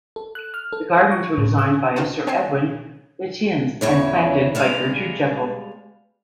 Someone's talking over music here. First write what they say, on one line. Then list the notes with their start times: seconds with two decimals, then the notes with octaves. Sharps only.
The gardens were designed by Sir Edwin Lutyens and planted by Gertrude Jekyll.
0.16 A4
0.35 F#6
0.54 F6
0.73 A4
0.97 A#6
1.11 C#6
1.38 A2
1.59 E6
1.96 D#4 F4 F#4 C5 F5 A5
2.27 C4 C5 G5 G#5 C6 C7
3.81 E2 C#3 C#5
4.55 G3 G#3 F5